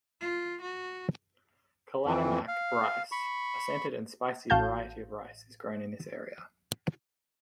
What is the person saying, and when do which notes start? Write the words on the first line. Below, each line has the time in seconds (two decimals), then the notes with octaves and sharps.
Kalanamak rice, a scented and spicy variety of rice is grown in this area.
0.21 F4
0.61 F#4
2.06 F2 E3
2.48 F5
3.12 B5 C#6
4.50 A1 F#4 F5 A5 G6